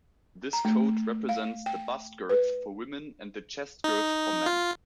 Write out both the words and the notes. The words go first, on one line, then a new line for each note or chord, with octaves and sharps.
This code represents the bust girth for women and the chest girth for men.
A#5
A3
F5
G5
B4
D#4
F4